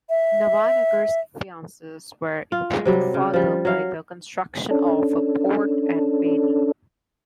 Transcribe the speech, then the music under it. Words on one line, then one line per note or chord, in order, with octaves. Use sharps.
Nawanagar's finances were improved further by the construction of a port at Bedi.
E5
F4
G#3
C3 F#3 G3
C#3
F3 G3
F#3 F5
C#4 D4 A4